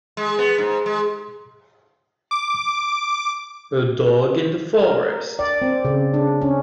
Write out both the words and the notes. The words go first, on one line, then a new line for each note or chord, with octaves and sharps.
A dog in the forest.
G#3
B3
G#2
G#3
D6
A#4
D5
C4
C#3
D4
C#4